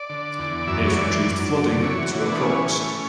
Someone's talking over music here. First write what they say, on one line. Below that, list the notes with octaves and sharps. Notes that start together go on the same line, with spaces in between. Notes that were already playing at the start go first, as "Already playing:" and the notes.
It reduced flooding to approx.
Already playing: D5
D3
E2
F#2 E5
D5
C#5
E3 D5
F#2
F#2
E3 C#5
F#4
E3
D4
B3
E3 C#4
A2